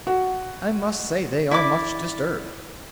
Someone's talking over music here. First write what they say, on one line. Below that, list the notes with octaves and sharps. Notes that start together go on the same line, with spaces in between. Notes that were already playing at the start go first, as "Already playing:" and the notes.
"I must say they are much disturbed."
F#4
E4 D5 D6